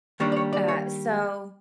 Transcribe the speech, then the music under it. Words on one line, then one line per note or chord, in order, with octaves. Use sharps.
Uh, so,
D#3 G3 A#3 D4 C#5
D5
C#5
D5
C#5